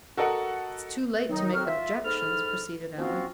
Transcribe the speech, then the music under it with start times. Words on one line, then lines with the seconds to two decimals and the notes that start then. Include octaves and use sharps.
"It's too late to make objections," proceeded Allan.
0.17 F#4 A4 A#4 D#5 F#5
1.28 D#3 F#3 D#4
1.54 F2 F#3 C4 F#4 F6
1.65 F4 E5
2.04 G#2 A4 B5 F6
2.97 F3 A#3 C4 C#4 F4 F#4